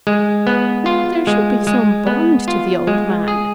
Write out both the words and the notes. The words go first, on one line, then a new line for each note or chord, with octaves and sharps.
"But there should be some bond to the old man."
G#3
B3
F4
G#3
G#3
B3
F4
G#3
G#4